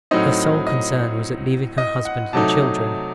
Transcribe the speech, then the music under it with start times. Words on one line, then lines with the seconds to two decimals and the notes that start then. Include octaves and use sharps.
Her sole concern was at leaving her husband and children.
0.11 A2 F#3 C4 D#4 D#5
0.67 D#5
1.78 D#5
2.05 F#5
2.33 C3 F#3 A3 D#4 A5